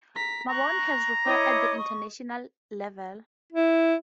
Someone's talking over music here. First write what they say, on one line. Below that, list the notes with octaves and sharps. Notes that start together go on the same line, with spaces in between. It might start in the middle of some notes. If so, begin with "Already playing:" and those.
Mabon has refereed at international level.
A#5 B6
A#5 C#6 F#6
E4 C#5 D#5 D6 D#6
C#6
E4